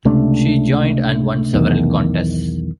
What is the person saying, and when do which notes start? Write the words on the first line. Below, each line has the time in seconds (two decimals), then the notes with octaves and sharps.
She joined and won several contests.
0.05 C#2 C3 A3 D4
1.53 B1 E2 D#3